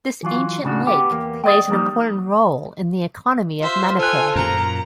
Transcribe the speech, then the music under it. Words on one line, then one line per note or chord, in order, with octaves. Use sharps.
This ancient lake plays an important role in the economy of Manipur.
E3 F#3 F4
C#2 A2 C#3 D4 F#4
B3 G4
E2 A#3
G#4 D5 D#5 G5
F3 G3 A#3 D#4
F4 C5 E5
F4 A4 C5 G#5 F#6
F#2 A#2 A#4 A#5